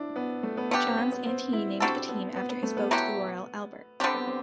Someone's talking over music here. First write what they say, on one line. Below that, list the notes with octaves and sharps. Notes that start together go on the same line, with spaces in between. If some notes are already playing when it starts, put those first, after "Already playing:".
Johns and he named the team after his boat the Royal Albert.
Already playing: D4 E4
B3
A3
B3
A3 B3 D4 G4
C4
B3
B3
C4
E4
G3 C4 D4 F#4 A4
B3
B3
B3
A3
B3
F#3 A3 E4 G4
D3 G3 C4 D4 G4
B3
C4